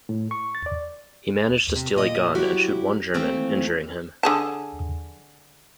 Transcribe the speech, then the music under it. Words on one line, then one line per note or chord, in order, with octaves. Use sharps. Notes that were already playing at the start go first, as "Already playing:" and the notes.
He managed to steal a gun and shoot one German, injuring him.
A2
C#6
A6
D5
C3
D2 A#2 D#5
F#3 E4 F#4 G4 E5
D#3 E3 A3 A#3 C4
D3 G#4 A5